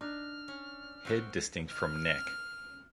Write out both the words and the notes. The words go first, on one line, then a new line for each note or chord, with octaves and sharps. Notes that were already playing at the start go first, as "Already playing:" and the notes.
Head distinct from neck.
D4 D#4 F6
C#4
C4 F#4 G5
F6